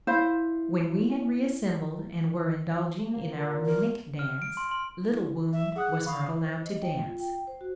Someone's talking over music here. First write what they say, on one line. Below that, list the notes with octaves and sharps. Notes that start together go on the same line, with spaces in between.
When we had reassembled and were indulging in our mimic dance, Little Wound was not allowed to dance.
E4 C5 F5
A#3
A#2
A#4
F6
D7
C6
C6
E4
E5
G#4 F#5 D#6 F#6
F5 B5 C#6 D#6
C5
D#5
G5
F4
G5
C5
F#4